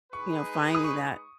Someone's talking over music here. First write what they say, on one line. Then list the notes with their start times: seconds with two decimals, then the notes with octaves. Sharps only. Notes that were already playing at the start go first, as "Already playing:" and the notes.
you know, finding that
0.13 G#3 D#4 G#4 B4 C#6
0.75 D#6
0.84 C#6